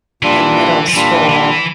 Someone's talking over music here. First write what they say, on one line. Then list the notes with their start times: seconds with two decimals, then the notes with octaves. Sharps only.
in middle school.
0.23 A#2 E3 G3 D4 F4
0.88 F3
0.94 A#2 E3 G3 D4 F4
1.29 E3